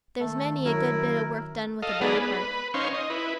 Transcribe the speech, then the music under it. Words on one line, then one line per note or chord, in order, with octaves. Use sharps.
There's many a good bit o' work done with a bad heart.
D#3 A3 A4
F#2 E4 A#4
A4 D#5 F5
G#3 B3 D#4 G#4 B4 D5
B4
C#4 D#4 C5 F5 C6 C#6
D#5
E4 B4